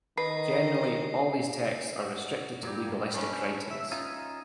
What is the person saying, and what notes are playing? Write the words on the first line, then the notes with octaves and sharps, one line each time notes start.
Generally, all these texts are restricted to legalistic writings.
D#3 B4 D#5 C7
F#4
A#2 F#3 G3 G4
G2 F#3
C#4 D4 B4
E5
C#4 D#4 F4